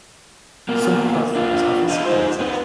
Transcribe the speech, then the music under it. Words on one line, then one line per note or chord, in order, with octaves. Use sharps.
Some platforms have escalators.
B2 A#3
D4 F4
F4 D#5
D#4 C5
C4 B4